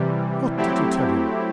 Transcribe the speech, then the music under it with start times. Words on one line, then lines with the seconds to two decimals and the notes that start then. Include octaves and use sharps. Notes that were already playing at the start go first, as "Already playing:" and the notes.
"What did you tell him?"
Already playing: C3 E3 G3
0.57 F#3 A3 C4 E4 G4